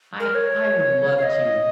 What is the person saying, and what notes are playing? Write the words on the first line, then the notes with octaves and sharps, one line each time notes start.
I I would love to,
A#4
C#5
F5
D#5